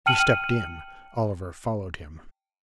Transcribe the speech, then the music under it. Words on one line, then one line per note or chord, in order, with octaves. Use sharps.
He stepped in; Oliver followed him.
G5 A5 F6 C#7 D#7 F#7